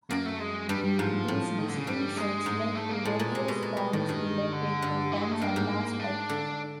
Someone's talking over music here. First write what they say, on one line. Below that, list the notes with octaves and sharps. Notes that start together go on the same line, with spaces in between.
These distinctions lead to various forms related to tense and aspect.
F#2 A#3
A3
G#3
G2 G3
G3
G#2 F3
A2
D#3
D3
C#3
G2 G3
G#3
G#2
A3
A#3
A2 G#3
A#2
C3
B2
A#2
B2
A2 D#3
G2
D3
G2
E3
G#3
A3
G2 A#3
G#2
D4
D3